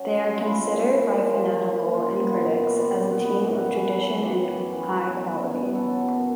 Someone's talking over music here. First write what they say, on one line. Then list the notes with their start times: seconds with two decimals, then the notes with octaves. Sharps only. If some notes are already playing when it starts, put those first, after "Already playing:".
They are consider by fanatical and critics as a team of tradition and high quality.
Already playing: F#3 C#4
0.16 A3
0.36 F4
0.42 C#3 E4
0.67 A#3
0.93 C#3
1.18 F3
1.43 C#3
1.69 A#3
1.93 A#2 F4
2.20 B3
2.32 F4
2.45 A#2
2.70 G3 F#4
2.80 G4
2.91 A#2 F#4
3.02 G4
3.12 F#4
3.21 B3 G4
3.34 F#4
3.44 F#2 G4
3.54 F#4
3.72 E3
3.98 A3
4.22 C#3 G4
4.48 F#2
4.73 E3
4.98 B2
5.24 B3
5.49 B2
5.74 F#3 A4
6.00 B2
6.12 A#4